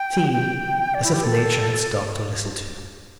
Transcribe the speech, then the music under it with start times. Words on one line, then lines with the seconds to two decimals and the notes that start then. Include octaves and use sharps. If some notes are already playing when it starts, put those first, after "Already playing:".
It seemed as if Nature had stopped to listen too.
Already playing: G5
0.33 G5
0.94 D5
1.04 E4
1.13 G4
1.24 A4